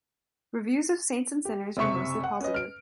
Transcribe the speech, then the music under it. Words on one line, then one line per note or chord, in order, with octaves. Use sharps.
Reviews of Saints and Sinners were mostly positive.
G4
F#1 C3 E5 C#6 C#7
F#5
C#4 B4 D#5
F6 D7